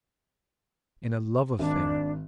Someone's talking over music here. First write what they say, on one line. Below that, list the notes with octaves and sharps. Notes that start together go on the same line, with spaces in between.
In a love-affair.
G#1 D4